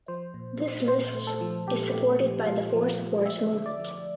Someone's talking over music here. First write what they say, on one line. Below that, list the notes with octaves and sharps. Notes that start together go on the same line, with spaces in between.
This list is supported by the For Sport movement.
F3 C5
A#2
A#2
A#2 C5
A3
A4
F3
A#2 G4
A3
F3
A#2 F4
F3
A3
F3 E5
D3
D5
F3